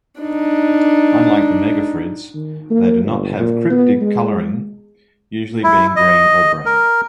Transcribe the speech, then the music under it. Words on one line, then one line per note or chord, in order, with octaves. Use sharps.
Unlike the megophryids, they do not have cryptic colouring, usually being green or brown.
D4 D#4
D#3
A#3
G1
A#2
B3
G#3
E4
D#5
A#4